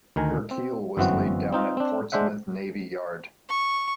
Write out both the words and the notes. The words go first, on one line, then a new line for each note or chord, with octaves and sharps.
Her keel was laid down at Portsmouth Navy Yard.
D2 D#3 A#4 G#5
C4
G1 F#2 E3 B3 C4 F#4
C4 D#4 F4
C4 D4
G#3 D4 C5 E5 F#5
C#6